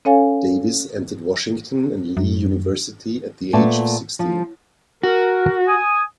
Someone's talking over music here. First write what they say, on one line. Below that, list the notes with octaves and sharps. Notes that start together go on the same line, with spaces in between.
Davis entered Washington and Lee University at the age of sixteen.
C#4 A4 C#5 F5 G#5
F#2
A#2 A3 B3 E5 A5
F3
F#4 A#4
G#5 D#6